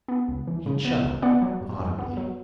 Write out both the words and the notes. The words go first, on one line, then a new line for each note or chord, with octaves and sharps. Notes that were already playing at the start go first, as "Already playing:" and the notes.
He chuckled audibly.
B3
C#2
E3
C#3
B3
C#2
B3 D5 F#5
F#3
G2
G2
B3
F#3